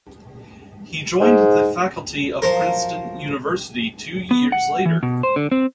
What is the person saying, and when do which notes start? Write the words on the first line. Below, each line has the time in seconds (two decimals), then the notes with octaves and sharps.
He joined the faculty of Princeton University two years later.
1.21 G#2
2.42 F3 F#3 A#4 C5
4.31 B3
4.52 F#5
4.86 E3
5.03 B2
5.23 C5
5.36 D3
5.52 C4